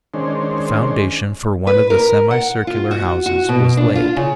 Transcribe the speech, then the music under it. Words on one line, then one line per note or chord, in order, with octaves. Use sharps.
The foundation for one of the semi-circular houses was laid.
D#3 G#3 C#4 D4 C5
B4
A#4
F#5
F4
F#4
F#4
B2
D4
F4
C#3